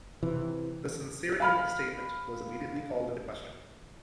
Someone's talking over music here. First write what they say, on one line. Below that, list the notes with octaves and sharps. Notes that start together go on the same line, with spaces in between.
The sincerity of the statement was immediately called into question.
C3 E3
F5 B5 F6